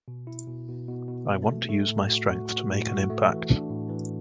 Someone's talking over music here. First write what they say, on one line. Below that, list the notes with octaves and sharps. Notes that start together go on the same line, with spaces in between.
I want to use my strength to make an impact.
B2
E4
B2
B2
B2
B2
B2
A3
A3
A2
F#4
F#4
F#4
A2
F#4
A3
E3
D4
A2
E3